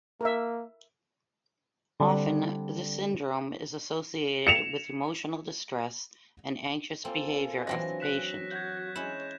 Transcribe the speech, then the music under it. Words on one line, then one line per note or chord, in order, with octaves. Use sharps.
Often, this syndrome is associated with emotional distress and anxious behaviour of the patient.
A#3 A#4 E5
D3 G3 C4 D4
C#7 E7 F7
A#3 C4 F4 A4 G#5
E3 F#3 C4 D4 A#6
F#6 B6 E7
F#4 G6 G#6
G#3 C#4 E4 C#5 E7